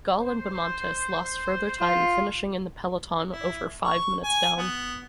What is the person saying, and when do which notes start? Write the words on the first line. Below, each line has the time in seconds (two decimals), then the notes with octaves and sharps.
Gaul and Bahamontes lost further time, finishing in the peloton over five minutes down.
0.20 C5
1.81 F4
3.32 E4
3.83 C#6
4.24 G#5
4.58 B3